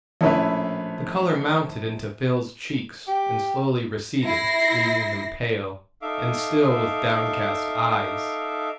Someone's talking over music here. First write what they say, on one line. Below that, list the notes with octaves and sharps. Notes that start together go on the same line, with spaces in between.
The color mounted into Phil's cheeks and slowly receded, leaving him pale, and still with downcast eyes.
A#1 A2 C#4 E4 B4
G4
E4 A#6 C7
D#4 A4 E5 F5 D6